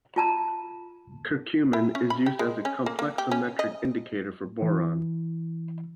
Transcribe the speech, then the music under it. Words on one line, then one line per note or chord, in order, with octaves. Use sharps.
Curcumin is used as a complexometric indicator for boron.
F4 A5 A#5
E4
C#4
B5
G4
G#3
C#4
A#3
A#3
G4
C#4
D#5
E3